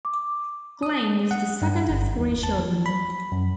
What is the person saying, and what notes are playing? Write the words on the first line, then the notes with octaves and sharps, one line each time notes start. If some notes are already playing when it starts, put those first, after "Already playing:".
Klein was the second of three children.
D6
D#6
F#5
G2
G1
E2
A5
F3
B5
F#2